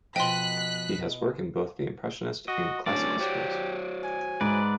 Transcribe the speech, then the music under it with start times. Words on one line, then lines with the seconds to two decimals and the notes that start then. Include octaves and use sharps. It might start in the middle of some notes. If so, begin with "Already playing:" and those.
He has work in both the impressionist and classical schools.
0.16 B2 F3 D#5 G5 C6 F#6 B6
2.48 F#4 D#5
2.86 A2 F#3 C#4 D4 D5
3.19 F#4 G4 C5 C#5
4.04 G#5
4.41 G#2 B4 D5